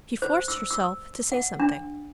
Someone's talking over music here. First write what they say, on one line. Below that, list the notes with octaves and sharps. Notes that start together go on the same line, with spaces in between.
She forced herself to say something.
C5
E6
E6
F#5
D4